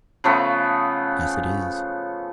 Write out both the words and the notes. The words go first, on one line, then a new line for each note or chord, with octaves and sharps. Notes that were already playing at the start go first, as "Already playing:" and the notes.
"Yes, it is."
C#3 F3 A3 B3